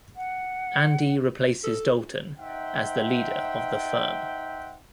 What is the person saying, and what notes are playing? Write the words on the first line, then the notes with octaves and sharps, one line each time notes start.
Andy replaces Dalton as the leader of The Firm.
F#5
A4
D#4 C5 E5 F#5 G5